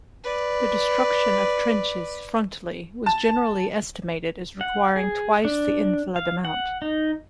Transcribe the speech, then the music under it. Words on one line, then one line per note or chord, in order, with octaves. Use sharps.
The destruction of trenches frontally was generally estimated as requiring twice the enfilade amount.
B4 D5
A5
F#5
G#4
D4
F5
F#5
D#4